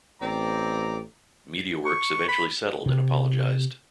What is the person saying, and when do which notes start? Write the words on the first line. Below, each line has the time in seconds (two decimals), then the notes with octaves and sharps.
Mediaworks eventually settled and apologised.
0.22 A1 C4 D5 A#5
1.86 C#6
2.28 B5
2.86 C3